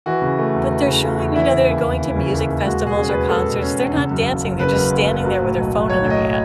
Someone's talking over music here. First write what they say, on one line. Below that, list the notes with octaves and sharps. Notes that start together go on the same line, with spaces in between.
But, they're showing me that they're going to music festivals or concerts, they're not dancing, they're just standing there with their phone in their hand.
E3 F#4
C#3
A3
E2
E3
C#3
A3
E2
E3 E4
C#3
D#2
D#2
E3
C#3
D#2
D#2
G#3 F#4
B2
G#4
C#4
B4
E2
G#3 A4
B2
C#4
E2
C#3
F#2
F#1
F#1
C#3 B4
F#2
F#1
F#1
F#3
A2
B1
B1
F#3 C#5
A2
D#5